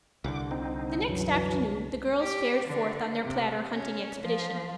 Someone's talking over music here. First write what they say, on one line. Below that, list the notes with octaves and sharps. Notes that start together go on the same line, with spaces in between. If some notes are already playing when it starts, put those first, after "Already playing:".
The next afternoon the girls fared forth on their platter hunting expedition.
C2 D3 D6
C4 D#4
F#2 E3 F#3
G4
D3
C3
C#4
F3